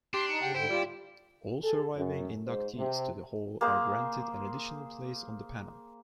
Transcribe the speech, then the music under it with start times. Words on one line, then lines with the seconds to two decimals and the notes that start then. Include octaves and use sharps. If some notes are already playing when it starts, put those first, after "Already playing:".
All surviving inductees to the Hall are granted an additional place on the panel.
0.14 D4 G4 C6
0.29 D#4 C#7
0.42 C#3 G4 F#5 G5
0.54 G#2 D3 E4 C5 G5
0.70 G3 F4 G4 D5
1.62 G#4 A4
1.95 F#2
2.47 G#2 C5
2.76 C3
3.61 A#3 G#4 C5